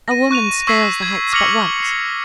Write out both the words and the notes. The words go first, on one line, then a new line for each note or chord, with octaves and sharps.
A woman scales the heights but once.
A#6 D#7
C#6 F#6 D#7 F7
C#6 E6 G#6 B6 C7 F#7
G#6
D6 F6 A#6 C#7 F7 F#7
C7